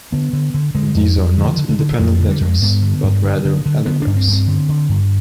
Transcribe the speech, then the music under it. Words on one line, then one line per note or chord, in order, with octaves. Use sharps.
These are not independent letters, but rather allographs.
D3 B3
D3
D3
D3 G#3
F2
F2
D3 F3
D3
D3
D3
F2 D#3
F3
D3
G3
F2 G3 G#3
G2 B3
D3
G2
D3
D3
D3
D3 B3
G2 D4
C4
G2
C4
D3
D3
G2